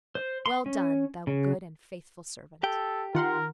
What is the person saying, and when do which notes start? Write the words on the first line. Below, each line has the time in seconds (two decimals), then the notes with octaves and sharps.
Well done, thou good and faithful servant!
0.15 C5
0.46 C6
0.66 C#4
1.27 C#3
2.63 G4 A4 G5
3.15 D#3 F4 A#4 F#5 C6